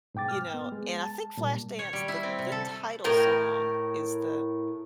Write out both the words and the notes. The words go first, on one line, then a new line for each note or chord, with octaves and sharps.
you know, and I think "Flashdance," the the title song, is the
G#2 B2 G5 D6 A6
F6
B3
G#3
A5
A#2 G3
C#5
G3
E4
C4
C3
A4
A2 A#4 G5